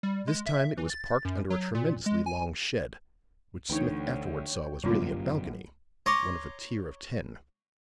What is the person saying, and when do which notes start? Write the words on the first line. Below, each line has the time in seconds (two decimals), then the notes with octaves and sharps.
This time it was parked under a tremendously long shed, which Smith afterward saw was really a balcony, one of a tier of ten.
0.03 G3
0.28 G#3
0.46 E5
0.78 E3
0.90 A6
1.25 F#2
1.50 F#3
1.75 A#2
2.06 G#3
2.26 G#5
3.70 D2 E3 D#4 C#5 G5
4.84 G1 F#2 C3 G3 A#3 F4 D6
6.06 C#5 A#5 C6 D6 D#6